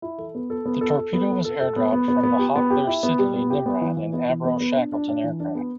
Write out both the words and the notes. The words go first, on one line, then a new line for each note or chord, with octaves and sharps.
The torpedo was air dropped from the Hawker-Siddeley Nimrod and Avro Shackleton aircraft.
E4
A4
B3
A4
B3
A4
A4
B3
A4
A4
A4
B3
B3
B3
B3
G4
B3
G4
E4
B3
G3
B3
G4
B3
E3
E3
B3
E3
B3
B3
D4
D4
D4
E3
D4
B3